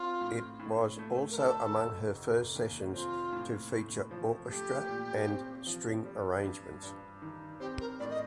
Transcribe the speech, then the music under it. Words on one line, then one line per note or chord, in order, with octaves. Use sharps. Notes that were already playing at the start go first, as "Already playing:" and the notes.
It was also among her first sessions to feature orchestra and string arrangements.
Already playing: C4 F4
A2
A2
A3
A#4
D3 A4
F1
F1
D#2
C4 F4
A2
A2
F3
A3 G4
A#2
C4
F3
G3
G2
G2
D#3
C4 G4
A#4
A2 D5
D#5